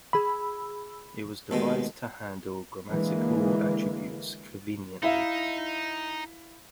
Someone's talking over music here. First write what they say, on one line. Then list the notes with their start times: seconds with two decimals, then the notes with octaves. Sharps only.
It was devised to handle grammatical attributes conveniently.
0.13 G#4 B5 E6
1.51 D#2 B2 G#3 A3
2.91 D3 E3 G#3 A#3
5.03 D#4 E4 E5 F5